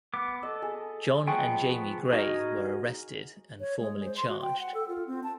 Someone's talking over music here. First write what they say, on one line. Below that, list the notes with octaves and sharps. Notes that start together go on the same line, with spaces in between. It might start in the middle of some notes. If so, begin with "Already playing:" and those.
John and Jamie Gray were arrested and formally charged.
B3 D6
A4 D#5
G#4
F3 B3 G#4 F#5 G5 A5 C#6
D#4 F#4 G#4 A#4 D#5
C#5
G#3
C5
C6
F#4
G5
F#5
A4
F4
C4
A5